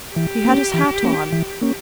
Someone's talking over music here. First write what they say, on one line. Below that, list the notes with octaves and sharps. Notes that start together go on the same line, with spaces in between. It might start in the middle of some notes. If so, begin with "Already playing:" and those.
He had his hat on.
E3 G4
A#3 C#4
E3
A#3 C#4
E3
A#3 C#4